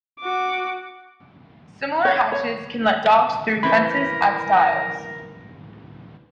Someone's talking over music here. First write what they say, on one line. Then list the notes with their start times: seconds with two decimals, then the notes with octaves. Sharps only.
Similar hatches can let dogs through fences at stiles.
0.20 F#4 D6
2.05 C#5
2.32 C#5
3.63 E3 C4 A#4 B4 B5